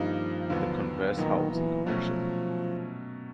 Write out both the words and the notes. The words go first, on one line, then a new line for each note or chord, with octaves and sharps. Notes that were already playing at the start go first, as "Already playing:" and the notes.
The converse holds in compression.
Already playing: G2 D#3 F3 G3 A#3 D#4
D#2 D3 F#3 B3 D4
A#2 D#3 F#3 B3 D#4
E3
B2 F3 F#3 A3 C#4